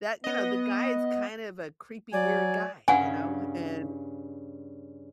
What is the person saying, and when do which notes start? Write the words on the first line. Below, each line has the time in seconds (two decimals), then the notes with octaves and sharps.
that you know, the guy is kind of a creepy weird guy, you know? H And
0.24 B3 D#5
2.13 F#3 D5 G#5
2.88 G2 C#3 C#4 F#5 G#5